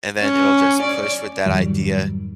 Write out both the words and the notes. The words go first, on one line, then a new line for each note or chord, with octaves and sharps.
And then it'll just push with that idea,
C#4
D5
F2 G#2 D#3 F#3 G3